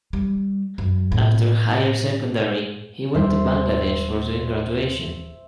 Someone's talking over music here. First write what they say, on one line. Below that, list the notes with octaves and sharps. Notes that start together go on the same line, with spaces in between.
After higher secondary he went to Bangladesh for doing graduation.
G3
F#2
A2
D#1 G3 C5 E5